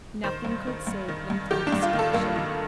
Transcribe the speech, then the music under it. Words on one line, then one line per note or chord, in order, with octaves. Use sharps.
Nothing could save them from destruction.
D#3 C5
G2
D#3
G2
D#3
G2
D#3 G4
D4
G2
F4
D#3
A4
G2 A#3
D#3